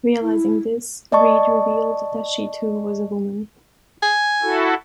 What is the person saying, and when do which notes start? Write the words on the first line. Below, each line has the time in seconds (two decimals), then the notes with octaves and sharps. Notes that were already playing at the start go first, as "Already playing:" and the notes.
Realising this, Read revealed that she too was a woman.
0.22 E4
1.12 D5 D#5 A5 C#6
4.02 G#5
4.42 E4 F#4 A4